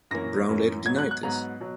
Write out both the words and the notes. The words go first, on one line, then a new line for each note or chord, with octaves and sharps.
Brown later denied this.
F#2 E3 A#3 C#4 A#6
F#2 E3 A#3 C#4
G#2 F#3 B3 G#6
F#6
F#6
G#2 F#3 B3 A#5
B2 F#3